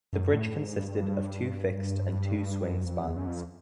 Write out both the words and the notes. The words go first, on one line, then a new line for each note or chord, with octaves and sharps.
The bridge consisted of two fixed and two swing spans.
F#2
A2
G#2
G2
F#2
F2
E2
F#2
F2